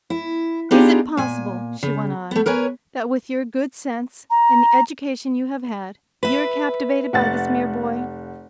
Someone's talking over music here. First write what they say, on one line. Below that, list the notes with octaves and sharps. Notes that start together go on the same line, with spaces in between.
"Is it possible," she went on, "that with your good sense, and the education you have had, you are captivated by this mere boy?"
E4
B3 D4 D#4 F4 G4 G#4
A#2 G#5
C#3
A3 B3
A#4 B4 C#5 G#5
A#5
B4 E5
F1 F#5 A6